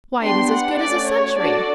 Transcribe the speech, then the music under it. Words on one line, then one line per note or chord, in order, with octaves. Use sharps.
Why, it is as good as a century!
B3 D4 G4 C6
F#5
A3 C#4 F#4 D5
C#5
D4 F#4 A4 D5